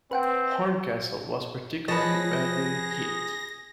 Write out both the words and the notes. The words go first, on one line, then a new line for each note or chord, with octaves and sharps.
Horncastle was particularly badly hit.
C4 B4 F#5 G5
F3 G#4 B4 C#5 D#5 A5 A#6